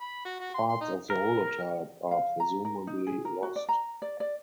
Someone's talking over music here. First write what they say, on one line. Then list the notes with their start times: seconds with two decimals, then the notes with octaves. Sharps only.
Parts of the Holotype are presumably lost.
0.01 B5
0.25 F#4
0.40 F#4
0.54 C6
0.69 C6
0.81 D#4
1.10 A#4
2.11 F5
2.40 A#5
2.65 A#4
2.87 D#4
3.07 G#4
3.25 A#4
3.43 F#4
3.56 D5
3.69 A#5
4.02 D5
4.20 D5